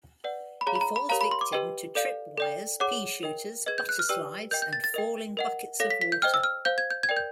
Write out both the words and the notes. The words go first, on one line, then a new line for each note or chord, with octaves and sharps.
He falls victim to tripwires, peashooters, butter-slides, and falling buckets of water.
B4 D5 F#5
B5
G#4 C#5 F5 A#5
B5
A#5
B5
G4 A#4 C#5 F5 A#5
B5
C6
D6
G4 B4 D#5 G5
A4 D5 F5
A4 D5 G5
G#4 C#5 F#5 D6
A#4 D#5 G5
G#4 B4 D#5 G#6
G6
F#6
F6
G4 B4 D5 G5 E6
A#4 D#5 G5 G6
G6
A6
A6
A#4 D#5 G5
A#4 D#5 F#5
A4 C#5 F5 A#6
B6
B6
G6
C5 D#5 G5 F6
E6
F6
C5 F5 G6
G#6
G6
G#6
A#4 D5 G5
G6